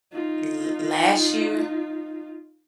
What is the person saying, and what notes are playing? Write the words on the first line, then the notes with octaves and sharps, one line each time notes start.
l last year
D#4 F4